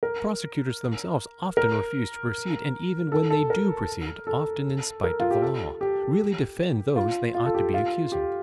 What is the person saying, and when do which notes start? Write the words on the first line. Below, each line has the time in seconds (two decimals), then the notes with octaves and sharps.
The prosecutors themselves often refuse to proceed, and even when they do proceed, often in spite of the law, really defend those they ought to be accusing.
0.03 A#4
1.57 A#4
3.12 A4
3.30 A4
3.50 A#4
4.27 A4
5.04 A#4
5.20 F4
5.31 G4
5.42 A4
5.81 G4
6.96 F4
7.35 F4
7.46 A4
7.55 G4
7.74 F4
8.12 G4